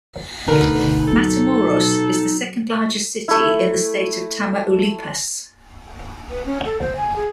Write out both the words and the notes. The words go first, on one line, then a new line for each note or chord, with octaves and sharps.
Matamoros is the second largest city in the state of Tamaulipas.
D2 B2 D3 D#4 A#4 B4
B2 F#3 A4
A3 E4
B4
C#4
A4
C5
G#5
G#4